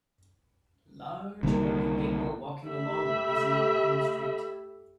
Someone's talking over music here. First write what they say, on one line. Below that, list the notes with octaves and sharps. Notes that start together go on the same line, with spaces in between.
Large amount of people walking along a busy urban street.
C2 D3 D#3 A#3
A3 G4 E5 B5